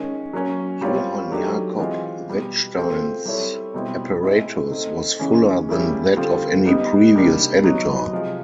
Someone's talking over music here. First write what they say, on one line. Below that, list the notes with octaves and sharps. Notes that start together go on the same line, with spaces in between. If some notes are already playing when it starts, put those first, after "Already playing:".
Johann Jakob Wettstein's apparatus was fuller than that of any previous editor.
Already playing: D#3 G#3 C#4
F#3 A#3 C#4
G3 C4 F4 A#4 C#5
D#3 F#3 A3 D4 G4
E3 G#3 C4 F4
B2 G3 B3
A3 C4 F4 G#4
G3 C4 E4 A4 C#5
B2 G3 C4 E4 G4
G#3 C4 E4
A3 C4 D#4
C#3 E3 G#3 C#4
G3 A#3 C#4 E4 G#4
D3 G3 C4 F4
G3 B3 D#4
C3 D#3 G3 A#3 D4
F#3 B3 D#4
C3 F3 G#3